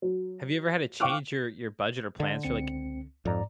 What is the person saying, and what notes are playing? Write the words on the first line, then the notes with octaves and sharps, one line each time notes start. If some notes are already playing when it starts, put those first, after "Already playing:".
Have you ever had to change your your budget or plans for, like,
F#3
F5 G5 C#6 D6 F6 F#6
D3
C#2 C4 C#7
F2 G#2 D5 A#5